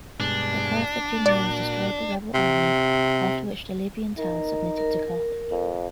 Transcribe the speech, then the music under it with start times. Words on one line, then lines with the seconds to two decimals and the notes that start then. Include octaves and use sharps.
The Carthaginians destroyed the rebel army, after which the Libyan towns submitted to Carthage.
0.20 G2 B2 G#3 D4
1.26 A#2 F#4 D5
2.34 C3
4.18 D#4 A#4
4.78 A#4
5.51 F2